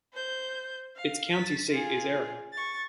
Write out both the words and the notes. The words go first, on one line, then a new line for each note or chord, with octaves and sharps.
Its county seat is Erin.
C5 G6
F5
A6 B6
F4 G#4
C#6 A6